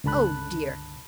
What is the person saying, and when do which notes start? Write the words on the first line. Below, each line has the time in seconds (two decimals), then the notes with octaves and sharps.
Oh dear!
0.04 C#2 G2 D3 A5 B5 F#6